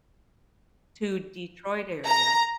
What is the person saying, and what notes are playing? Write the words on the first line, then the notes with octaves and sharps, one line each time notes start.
to Detroit area,
A#5